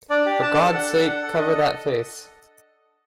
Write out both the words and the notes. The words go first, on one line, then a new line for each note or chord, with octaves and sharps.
For Gawd's sake, cover that face!
D4 D5
G4
D4 A5
A4
D4 F#5
A4
D4
A4
F#5
D4 D#5
A4